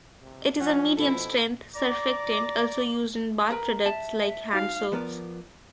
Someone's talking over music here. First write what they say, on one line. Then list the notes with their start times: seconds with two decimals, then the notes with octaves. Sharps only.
It is a medium strength surfactant also used in bath products like hand soaps.
0.22 C3
0.60 F3 C#4 F#5
0.97 B2 C4 D#4 E4 A4
1.75 D5 A#5 D6
3.50 A#4 B4 A#5
3.86 E5 A5
4.53 D#4 F#4 C5 F5
4.92 F3 B3 A#4 D5